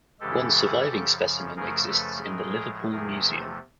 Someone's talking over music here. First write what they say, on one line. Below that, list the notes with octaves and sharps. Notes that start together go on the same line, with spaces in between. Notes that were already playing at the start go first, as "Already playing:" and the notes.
One surviving specimen exists in the Liverpool Museum.
F#2 C#3 E3 G#3 G4 A4
F#2 C#3 F3
F#2 C#3 F3 A3 G#4 A#4
A4 B4
A2 F3 G#3 G#4 A#4
E2 C3 F3 A3 G#4 A#4